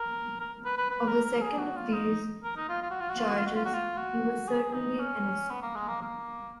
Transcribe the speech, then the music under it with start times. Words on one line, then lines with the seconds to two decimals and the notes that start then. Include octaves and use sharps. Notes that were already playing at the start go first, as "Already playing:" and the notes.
Of the second of these charges he was certainly innocent.
Already playing: A#4
0.40 A#4
0.65 B4
0.77 B4
0.91 B4
1.08 A#4
1.24 A#4
1.41 G#4
1.59 F#4
1.76 F4
1.93 D#4
2.44 A#4
2.57 D#4
2.69 F4
2.82 F4
2.91 F#4
3.00 F4
3.09 F#4
3.19 F4
3.28 F#4
3.36 F4
3.46 F#4
3.56 F4
3.65 F#4
3.74 F4
3.97 F#4
4.48 G#4
4.73 D#4
4.99 C#4
5.50 B3
5.62 A#3
5.75 G#3
5.88 A#3
6.01 A#3